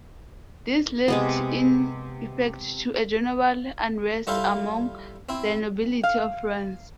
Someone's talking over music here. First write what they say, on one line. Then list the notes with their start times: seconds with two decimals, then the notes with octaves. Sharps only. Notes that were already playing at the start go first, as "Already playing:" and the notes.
This led in effect to a general unrest among the nobility of France.
1.08 C3 G#3 B3
4.27 G3 E4 F4 A4 C5 F5
5.29 C4 E4
6.04 F5